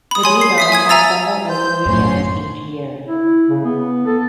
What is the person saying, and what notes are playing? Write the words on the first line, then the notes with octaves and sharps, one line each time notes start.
The depot has several open weekends each year.
B5 D#6
C#5 G#5 C6
C7
E5 D#6 B6
G#5 D#6 G#6
E5 G#5 A#5 E6 A6
C5 G6
B1 F#2 A2 C#4 C6
E4
C#3
B3
A4